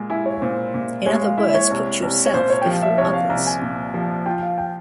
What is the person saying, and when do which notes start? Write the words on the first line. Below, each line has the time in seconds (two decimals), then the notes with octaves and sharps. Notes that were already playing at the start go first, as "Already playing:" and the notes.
In other words, put yourself before others.
Already playing: A#2 G#3
0.10 E4 G#5
0.26 C#5
0.41 A#2 C5
0.74 A#2
1.06 G#3 C#5
1.22 F5
1.38 E4 E5
1.50 E5
1.54 C#5
1.70 C2
2.02 C2
2.26 C#5
2.34 A#2 C5
2.50 C#5
2.62 G5
2.66 F3 F5
2.82 E5
2.98 C2 C#5
3.14 F5
3.30 C2 A#5
3.47 G#5
3.62 A#2
3.94 F3
4.26 F4 G5
4.43 F5
4.58 G5